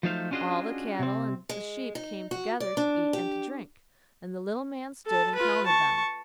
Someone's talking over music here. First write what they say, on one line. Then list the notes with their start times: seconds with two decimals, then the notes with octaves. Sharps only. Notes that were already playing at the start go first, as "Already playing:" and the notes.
All the cattle and the sheep came together to eat and to drink, and the little man stood and counted them.
0.03 F3 F#3 A3 D#4 C5 F5
0.31 C#4 D4 F4 F#4 G#4 D#5
0.99 C3 C4
1.49 G#3
1.95 D#4
2.31 F#4
2.60 D5
2.77 D4
3.13 G4
5.06 A4 A5
5.35 F4 B4
5.66 A5 C#6